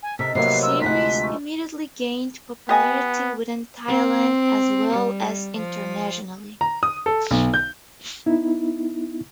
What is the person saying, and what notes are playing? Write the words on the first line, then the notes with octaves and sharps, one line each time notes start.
The series immediately gained popularity within Thailand as well as internationally.
G#5
C3 A4 A#4 D#5 B6
A2 C3 F3 F#3 A#3 B3 C7
F4 A#4 E6
D2 C3 G#3 F#5 B6
A3
B3 G4 D#5 G#5
C4
G3
F3
A#5
D#6
A4
B1
G6
B3 D#4 E4